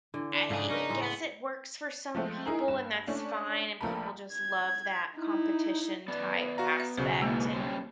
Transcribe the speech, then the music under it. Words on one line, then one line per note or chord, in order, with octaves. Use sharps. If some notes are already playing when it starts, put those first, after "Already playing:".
I guess it works for some people, and that's fine, and people just love that competition-type aspect and
D3 E3
D4
G#2 C#3 F3 G#4 A4
C#4 D#4 A#4 B4
A2 G#3 E5
B3
F3 G#3 A3 C4
D#4 E4 G#4 A#4
G2 E7
A3 C#4 D4
A#1 F3 A3 A#4 A5 B5
G#6
D#4 E4
B3 D5
F#4 F5 A#5
E5
B1 C#3 F#4 C5
G#2 B2 E3 G#3 A#3
G3 C#4 C5